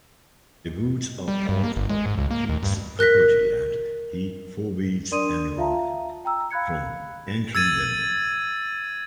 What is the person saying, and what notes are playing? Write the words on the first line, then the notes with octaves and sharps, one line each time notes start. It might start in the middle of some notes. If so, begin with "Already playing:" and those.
The woods are part of Pete's property and he forbids anyone from entering them.
G3
G2
A#3
G1
G#3
G#2
C#2
A#3
D#2
G2
A#4 F#6 A#6 B6
D4 A#4 D5 C6 D#6 D#7
F4 E5 F5 A5 A#5
G5 A#5 E6
F5 B5 F#6 G#6 C#7
E6 G#6 A6 D#7